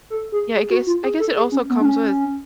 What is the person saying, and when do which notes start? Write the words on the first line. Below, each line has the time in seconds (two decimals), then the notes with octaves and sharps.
Yeah, I guess I guess it also comes with
0.10 A4
0.32 G#4
0.54 G#4
0.70 F#4
0.87 F4
1.03 G#4
1.19 A4
1.36 G#4
1.52 C#4
1.70 B3
1.81 D4
1.85 C#4